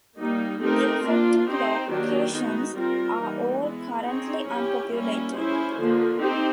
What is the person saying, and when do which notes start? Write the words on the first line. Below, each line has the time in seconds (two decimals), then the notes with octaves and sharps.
The affected locations are all currently unpopulated.
0.18 G3 A#3 D#4
0.61 A3 C4 D#4 G4 A#4
1.04 A#3 D4 F4
1.47 C4 D#4 G4 C5
1.90 D#3 F#3 A#3 D4 G4
2.33 G#3 B3 D#4 F#4
2.76 G3 C4 F4 A#4
3.19 E3 G3 A#3 D#4
3.62 G#3 B3 E4
4.05 C4 D#4 G#4 C#5
4.48 C#4 E4 G4
4.91 G3 A#3 C#4 E4
5.34 C#4 E4 G#4 C5
5.77 D3 F3 A#3
6.20 C4 D#4 G4 C5